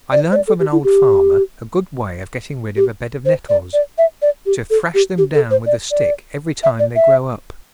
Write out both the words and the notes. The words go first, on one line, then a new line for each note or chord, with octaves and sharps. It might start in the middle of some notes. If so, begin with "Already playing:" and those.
I learnt from an old farmer a good way of getting rid of a bed of nettles--to thrash them down with a stick every time they grow up.
D5
C5
D5
A4
G4
E4
G4
G4
C5
D5
D5
E5
D5
G4
A4
G4
G4
A4
C5
D5
D5
E5
D5
E5